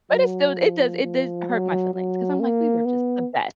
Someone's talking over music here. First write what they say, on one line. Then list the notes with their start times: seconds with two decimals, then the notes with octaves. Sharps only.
But it still it does it does hurt my feelings 'cause I'm like, we were just the best.
0.11 F#3
0.57 F3
1.03 F3
1.49 F#3
1.94 F#3
2.40 A#3
2.85 B3